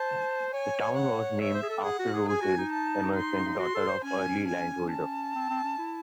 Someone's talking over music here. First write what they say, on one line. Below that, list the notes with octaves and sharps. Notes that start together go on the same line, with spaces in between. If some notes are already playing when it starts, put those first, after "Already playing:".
The town was named after Rose Hill Emerson, daughter of early landholder.
Already playing: C5 A5
C#5 G#5
F#5
C#5 E5
C5
G#4
A4
G#4 F#5
F#4
G#4
G#4 G#5
F#4
D#4
A5
C6
F#4 C6
A4
C5
C#4 G#5
G#5
A5
C4
C4
C#4
E4